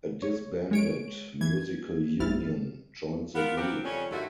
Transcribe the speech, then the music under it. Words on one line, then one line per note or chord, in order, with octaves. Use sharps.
A disbanded Musical Union joined the group.
C#5
G#3 C#5 D7
E3 G#6
A#1 F#2 B3 E4 F6 A6
B3 F4 A#4
F3 B3 C4 G4 A#4 B4
F2 C#3 G3 C#4
G2 D3 D#3 A3 E4 F#4